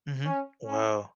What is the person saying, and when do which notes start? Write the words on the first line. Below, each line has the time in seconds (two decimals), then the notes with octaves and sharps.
Mhm, wow.
0.25 C#4
0.65 C#4